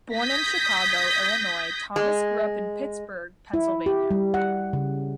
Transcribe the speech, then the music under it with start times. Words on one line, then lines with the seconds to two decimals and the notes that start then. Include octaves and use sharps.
Born in Chicago, Illinois, Thomas grew up in Pittsburgh, Pennsylvania.
0.14 D#6 G6 G#6 A#6 B6
1.96 G#3
3.54 E4
3.86 G4
4.11 G3
4.34 F#5
4.73 C#3